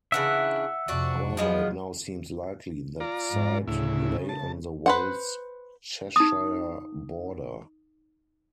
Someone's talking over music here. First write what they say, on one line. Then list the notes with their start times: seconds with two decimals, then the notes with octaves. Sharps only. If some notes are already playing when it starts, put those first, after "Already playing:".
However, it now seems likely that site lay on the Wales-Cheshire border.
0.12 C#3 E3 D4 E5 F#5
0.88 F2 C3 D4 F#4
1.37 F3 F#3 G#3 B3
3.00 F4 D5 A#5
3.30 G#2
3.68 D2 A2 C#3 E4
4.29 A5
4.86 B4 C5 F#5
6.16 D#4 D#6